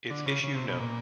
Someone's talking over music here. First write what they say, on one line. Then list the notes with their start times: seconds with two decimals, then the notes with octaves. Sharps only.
Its issue no.
0.11 D3
0.26 C#3
0.44 C#3
0.55 C3
0.68 B2
0.80 A#2